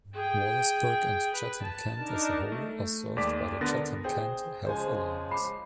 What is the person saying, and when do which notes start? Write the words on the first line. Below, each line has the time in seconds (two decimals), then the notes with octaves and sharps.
Wallaceburg and Chatham-Kent as a whole are served by the Chatham-Kent Health Alliance.
0.14 G#4 G5
1.34 B4
1.62 A5
1.97 D4 D#4 A#4
2.52 A3
3.17 D#2 G#3 D5 D6 B6
3.61 D3 B3 D4 A#4 A6 A#6
4.04 G#4 C5 G5
4.66 C#3 F3 G#3 C5 G#5
5.31 B5 D6 C7